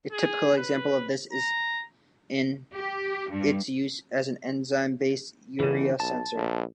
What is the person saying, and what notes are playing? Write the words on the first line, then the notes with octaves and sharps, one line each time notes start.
A typical example of this is in its use as an enzyme-based urea sensor.
G#4
B4
A#5
G4
G2
G1 C#3 E3
B1 A5
A#1